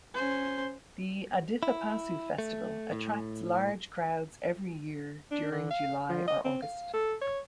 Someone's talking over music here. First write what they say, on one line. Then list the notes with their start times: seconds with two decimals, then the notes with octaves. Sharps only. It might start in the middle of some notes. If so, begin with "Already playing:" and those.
The Adithapasu festival attracts large crowds every year during July or August.
0.15 C#4 C5
1.63 E4
2.38 A3
2.92 A2
5.31 D4
5.51 D3
5.70 F5
6.09 F3
6.27 D#5
6.44 C4
6.62 F5
6.93 A4
7.21 C#5